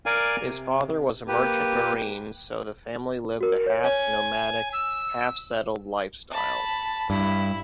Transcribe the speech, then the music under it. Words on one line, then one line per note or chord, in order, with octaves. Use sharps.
His father was a merchant marine, so the family lived a half-nomadic, half-settled lifestyle.
A#4 D5 F5 G#5
C3
A#3 G4 B4
F#4 A#4
C#5
C#5 G#5
E6
A5 B5
G2 E4